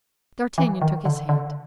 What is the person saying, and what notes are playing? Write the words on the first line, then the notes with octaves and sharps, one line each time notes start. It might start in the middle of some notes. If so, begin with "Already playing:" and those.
D'Artagnan took his hand.
E3
D#3
D3
D3